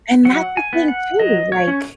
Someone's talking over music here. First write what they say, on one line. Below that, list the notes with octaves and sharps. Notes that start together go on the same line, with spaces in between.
And that's the thing, too, like,
F#3 F#5
G#5
B3
F#5
F#3 D#5
C#5
C#4